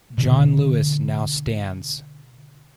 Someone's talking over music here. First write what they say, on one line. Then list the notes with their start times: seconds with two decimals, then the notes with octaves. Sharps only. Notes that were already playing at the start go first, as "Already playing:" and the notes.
John Lewis now stands.
0.18 B2 D3